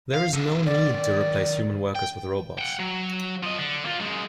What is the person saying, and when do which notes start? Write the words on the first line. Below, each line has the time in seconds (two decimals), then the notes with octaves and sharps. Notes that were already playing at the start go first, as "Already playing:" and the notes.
There is no need to replace human workers with robots.
0.14 F5
0.33 D#3 A4
0.66 D5
1.96 G5
2.59 F#5 G5
2.80 F#3
3.43 F3 D#5
3.59 D3
3.85 A#3 F4
3.99 F#2 G#3